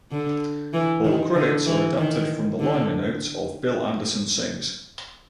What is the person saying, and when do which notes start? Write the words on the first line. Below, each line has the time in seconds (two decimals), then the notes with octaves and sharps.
All credits are adapted from the liner notes of "Bill Anderson Sings".
0.11 D3
0.73 E3
1.04 D#3
1.35 D3
1.66 E3
1.98 D#3
2.59 D3